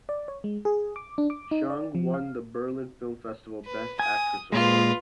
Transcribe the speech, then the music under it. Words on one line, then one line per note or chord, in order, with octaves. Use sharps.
Cheung won the Berlin Film Festival Best Actress award.
D5
C#5
G#3
G#4
D6
D4
D6
D#4
D5
F3
F5
B4
G#5 D#6
A#2 G#3 F4 B4